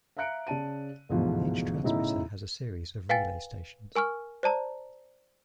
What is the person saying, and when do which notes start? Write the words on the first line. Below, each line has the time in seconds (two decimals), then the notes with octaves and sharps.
Each transmitter has a series of relay stations.
0.17 E5 F5 A#5 F#6 C#7 D7
0.47 C#3 D5 A5 D#7
1.09 G1 D2 G#2 B2 E3 F3
1.84 B1 A2 C#3 D#4 E4 E5
3.09 B4 F5 G5 G#5 A6
3.96 A#4 G#5 C#6 F6
4.43 C5 D5 A5 A#5